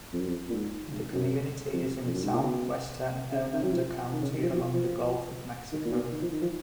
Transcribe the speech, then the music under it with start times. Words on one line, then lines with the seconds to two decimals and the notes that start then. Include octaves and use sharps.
The community is in southwestern Hernando County, along the Gulf of Mexico.
0.13 F2
0.20 F#2
0.28 F2
0.49 A#2
0.53 G#2
0.92 G#2
1.13 F#2
1.73 F2
2.05 F2
2.13 F#2
2.23 G#2
2.33 A#2
2.39 C#3
2.42 B2
3.32 C#3
3.53 D#3
3.64 F#3
3.72 F3
4.13 D#3
4.22 C#3
4.33 D#3
4.42 F3
4.53 F3
4.73 F3
5.72 D#3
5.85 A#2
5.92 B2
6.12 D#3
6.22 F3
6.32 D#3
6.42 F3